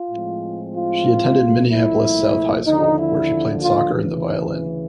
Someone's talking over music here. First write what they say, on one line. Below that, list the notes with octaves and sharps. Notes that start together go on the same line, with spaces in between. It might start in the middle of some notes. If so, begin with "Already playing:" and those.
She attended Minneapolis South High School, where she played soccer and the violin.
Already playing: F4
A2 F3 G#3 C4
F4
C2 A#2 F3 A3
E4
D#2 D3 F3 D#4
E4
F4
D2 C#3 E3